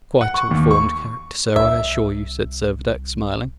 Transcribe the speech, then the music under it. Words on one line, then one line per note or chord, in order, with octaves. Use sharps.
"Quite a reformed character, sir, I assure you," said Servadac, smiling.
F#5
C#6
D#2
C#6
C2 E5